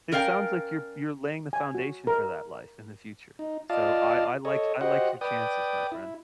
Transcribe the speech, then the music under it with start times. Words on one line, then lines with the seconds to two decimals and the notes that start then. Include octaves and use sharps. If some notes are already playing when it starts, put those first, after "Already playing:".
It sounds, like, you're you're laying the foundation for that life in the future. So I I like I like your chances, my friend.
0.12 C#4 A#4 D5 F5 G5
1.53 G#5
1.75 F#4
2.07 A#4
3.39 D#4
3.70 F4 D5 D#5 F5 A5
4.45 A4 C#5 D#5
4.81 F#4 G4 C5 D#5 F#5
5.21 B4 D5 G5 D#6
5.92 E4